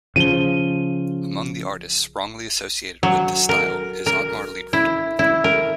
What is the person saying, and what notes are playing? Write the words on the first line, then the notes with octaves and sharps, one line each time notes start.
Among the artists wrongly associated with this style is Ottmar Liebert.
C#3 F3 D#7 G7
F#3
A#4
A#4
E4
E4
A#4